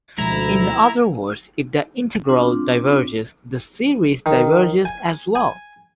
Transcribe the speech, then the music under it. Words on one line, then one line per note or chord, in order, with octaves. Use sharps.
In other words, if the integral diverges, then the series diverges as well.
D2 B2 F3 G#3 E4 A#5
C4 D4 F4
D#3
G#5
G#5